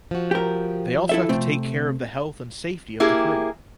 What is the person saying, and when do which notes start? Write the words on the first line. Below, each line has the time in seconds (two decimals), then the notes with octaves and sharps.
They also have to take care of the health and safety of the crew.
0.11 F3 F#4
0.31 G4 A#4
1.09 E4 A4 E5
1.29 C3 A3 C4
3.00 A#3 E4 G4 G#4